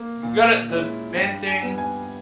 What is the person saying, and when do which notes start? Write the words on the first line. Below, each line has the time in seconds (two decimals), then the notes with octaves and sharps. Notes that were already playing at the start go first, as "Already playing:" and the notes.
You gotta the main thing
Already playing: A#3
0.23 A#2
0.70 G#3 C#4 E4
1.16 G2 G5
1.47 G#5
1.62 G3 B3
1.78 G#5